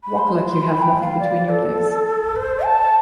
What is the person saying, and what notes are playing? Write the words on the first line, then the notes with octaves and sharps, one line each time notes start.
Walk like you have nothing between your legs.
B5
C6
C6
B5
G5
F5
D5
A4
C5
A5